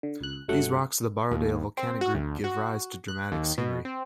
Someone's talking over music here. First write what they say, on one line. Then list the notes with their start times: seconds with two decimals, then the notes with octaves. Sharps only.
These rocks of the Borrowdale Volcanic Group give rise to dramatic scenery.
0.03 D3
0.21 C#2 F#6
0.48 G1 G2 F#3 A3 F#5
1.31 D#2
1.77 C4
2.01 F#4
2.14 D2
2.44 F#4
3.08 F#6
3.32 D#2
3.58 B2
3.85 C4